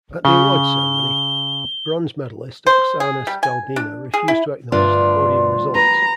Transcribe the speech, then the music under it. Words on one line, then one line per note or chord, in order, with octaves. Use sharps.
At the awards ceremony, bronze medalist Oksana Skaldina refused to acknowledge the podium results.
C#3 G7
C5
G#4
G3
G#5
D4
G#4
E4
D2 G2 D4 F4 C6
B4 A#5